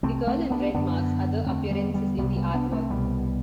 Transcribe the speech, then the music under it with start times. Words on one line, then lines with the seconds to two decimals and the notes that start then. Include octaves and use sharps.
The girl in red makes other appearances in the artwork.
0.03 C2 C3 A3 C4
0.27 A3 C4
0.50 B3 D4
0.74 F#2 D3 B3 D4
1.46 E2 D3 A3 C4
1.71 G3 B3
1.94 G3 B3
2.18 C2 C3 G3 B3
2.36 G3 B3
2.54 B3 D4
2.72 A3 C4
2.90 C2 B2 G3 B3